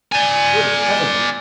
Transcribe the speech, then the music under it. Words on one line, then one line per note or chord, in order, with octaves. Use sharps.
Good heavens!
D5 G#5